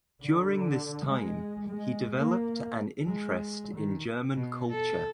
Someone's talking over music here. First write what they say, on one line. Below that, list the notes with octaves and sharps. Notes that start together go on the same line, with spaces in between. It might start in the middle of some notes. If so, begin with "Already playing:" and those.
During this time he developed an interest in German culture.
D3
G#3
G#3
A#3
G#3
D#3
B2
A4